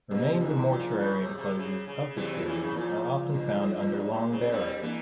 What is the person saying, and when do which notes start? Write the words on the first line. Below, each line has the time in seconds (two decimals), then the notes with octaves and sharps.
Remains of mortuary enclosures of this period are often found under long barrows.
0.11 G2 C3
0.34 F3
0.40 G#2 E3
0.70 A#2 F3
1.00 C#3
1.19 C3
1.38 C3
1.59 C#3
1.87 C#3
2.16 E2 C3 E3
2.41 F3
2.46 C#3 E3
2.55 C3
2.62 C#3
2.76 A#2 F3
3.34 G2
3.54 G#2
3.73 G2
3.82 F3
3.93 G#2 G3
4.13 A#2 A#3
4.32 C#3 C4
4.52 G2 G3 C4
4.82 E3 A#3